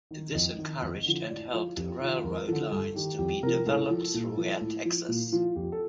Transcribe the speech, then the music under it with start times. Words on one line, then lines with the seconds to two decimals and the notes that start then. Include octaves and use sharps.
This encouraged and helped railroad lines to be developed throughout Texas.
0.11 D#3
0.35 F2 D#5
0.58 D#3
0.82 F2
1.06 D3 F3
1.30 A2 D5
1.53 F3 F4
1.76 F2 G4
2.01 D#3 F4
2.24 F2 A#4
2.48 D3 F3 A4
2.71 G2 A4
2.95 D#3 G4
3.18 F2 G4
3.43 C3 F3 A#4
3.66 A2 A4
3.90 F3
4.14 A#2
4.37 F3
4.61 A2
4.85 F3
5.09 A#2
5.32 F3 F4
5.56 F2 G4
5.72 A4